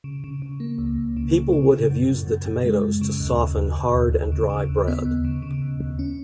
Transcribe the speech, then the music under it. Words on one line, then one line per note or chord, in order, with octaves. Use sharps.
People would have used the tomatoes to soften hard and dry bread.
C#3
C#3
C#3
A#3
C#2
C#2
C#3
C#3
C#3
C#3
F#2
F#2
F#2
F#2
G#3
F#2
C#3
D#2
D#2
D#2
D#2
D#2
D#2
C#3
C#3
D#2
B3
D#2
C#3
C#3
D#2
D#2
C#4